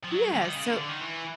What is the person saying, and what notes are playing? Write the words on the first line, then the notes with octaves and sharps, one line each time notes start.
yeah, so
F3
F#3
D3
D#3
C#3
D3
D3
D#3
E3